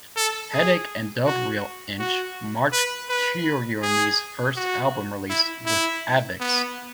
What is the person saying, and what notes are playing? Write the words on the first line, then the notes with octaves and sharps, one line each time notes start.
"Headache and Dub Reel Inch" marked Kuroyume's first album release with Avex.
A4
G#4
F#4
F#4
B4
B4
G#4
F#4
E4
E4
B3